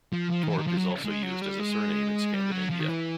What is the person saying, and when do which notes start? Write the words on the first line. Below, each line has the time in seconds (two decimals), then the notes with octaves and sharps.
"Torp" is also used as a surname in Scandinavia.
0.13 F3
0.31 F3
0.43 D#3
0.49 E3
0.58 D#3
0.67 F3
0.77 F#3
1.05 G#3
1.23 F#3
1.42 G3
1.60 G#3
2.34 G3
2.52 F#3
2.70 F3
2.80 D#3
2.88 E3